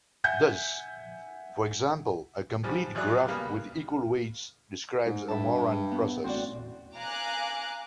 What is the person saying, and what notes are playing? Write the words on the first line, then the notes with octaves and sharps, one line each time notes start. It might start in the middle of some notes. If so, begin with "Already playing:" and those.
Thus, for example, a complete graph with equal weights describes a Moran process.
E5 F#5 G#5 G6
G#2 F3 G3
A1 F#3 G#4 D5 F#6
C#3 G3 A#3 B3
G#2
G2 E5 A5
B3
A1 C4 F#4 D5
F5 G#5 A#5 D6 F#6